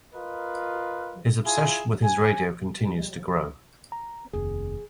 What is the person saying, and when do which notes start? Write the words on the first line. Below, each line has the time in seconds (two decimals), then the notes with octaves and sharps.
His obsession with his radio continues to grow.
0.14 F4 A#4 B4 D#5
1.44 E4 F4 G#4 G#5
2.04 G#5
3.92 A#5
4.33 F1 D#2 G#4